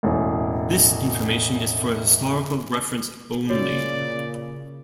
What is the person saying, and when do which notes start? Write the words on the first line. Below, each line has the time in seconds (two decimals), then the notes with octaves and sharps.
"This information is for historical reference only".
0.03 E1 A1 A2
3.50 A#2 C#3 F#4 C#5 D5